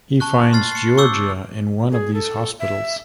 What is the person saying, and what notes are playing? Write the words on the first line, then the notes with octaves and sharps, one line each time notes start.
He finds Giorgia in one of these hospitals.
A5 C#6 F#6
C6 F6 A6 C7
C7 C#7
C#6 D6 E6 G6
G#4
A4
E5